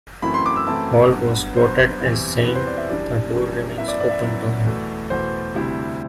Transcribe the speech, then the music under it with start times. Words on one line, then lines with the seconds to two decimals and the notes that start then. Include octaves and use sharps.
Hall was quoted as saying "the door remains open to him".
0.22 F#2 E3 A3 C4 E4 B5
0.34 C6
0.46 D6
0.56 E6
0.67 F#2 E3 A3 C4 E4 A5
1.12 G2 F#3 B3
1.56 G2 F#3 B3 C5
2.01 E2 B2 G3 C4 E4
2.45 E2 B2 G3 C4 E4 B4
2.55 C5
2.67 D5
2.78 E5
2.89 F#2 E3 G3 D4 D5
3.33 F#2 E3 G3 D4
3.77 F#2 F#3 B3 E4 E5
3.88 D5
4.00 D5
4.10 E5
4.21 F#2 F#3 B3 E4 D5
4.66 E2 B2 A3
5.10 E2 B2 A3 C5
5.54 D2 C3 G3 C4 E4